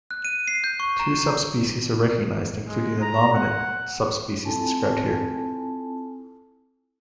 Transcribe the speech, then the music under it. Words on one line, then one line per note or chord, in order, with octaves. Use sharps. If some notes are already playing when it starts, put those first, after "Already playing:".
Two subspecies are recognized, including the nominate subspecies described here.
F#6
D#7
C7
G6
C#6
A#5
G#3
A#5
F#5
C4 E4 F4 A4 G#5 A5